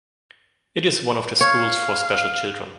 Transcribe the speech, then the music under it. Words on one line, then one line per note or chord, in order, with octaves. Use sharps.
It is one of the schools for special children.
C#5 F5